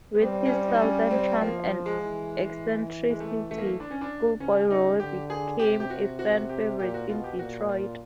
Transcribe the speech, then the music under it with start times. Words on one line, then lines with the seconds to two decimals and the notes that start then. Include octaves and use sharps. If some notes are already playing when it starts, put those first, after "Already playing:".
With his southern charm and eccentricities, Schoolboy Rowe became a fan favorite in Detroit.
0.14 B3
0.22 G3 C4
0.45 C#4
0.52 C4
0.67 D#4
0.74 D4
0.81 C#4
1.11 C4
1.41 F3 A#3
1.86 G#3
2.01 E3
3.10 G#3
3.20 A3
3.51 A3
3.58 A#3
3.66 A3
3.80 D4
3.91 C#4
4.01 D4
4.40 C#3 C#4
4.70 D#4
5.00 D3 G4
5.30 G#4
5.59 C3 G4
5.80 G4
5.90 F#4
6.19 F#4
6.49 G4
6.79 A#2 G4
6.94 F#4
7.09 B2 F4
7.24 G4
7.39 A#2 F#4
7.69 F4